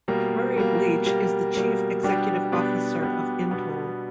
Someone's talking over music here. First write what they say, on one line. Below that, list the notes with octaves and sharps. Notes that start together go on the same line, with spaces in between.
Murray Bleach is the Chief Executive Officer of Intoll.
B2 G3 A#3
B2 G3 A#3
B2 G3 A#3
B2 G3 A#3
B2 G3 B3 D4 G4
B2 G3 B3 D4 G4
B2 G3 B3 D4 G4
B2 G3 B3 D4 G4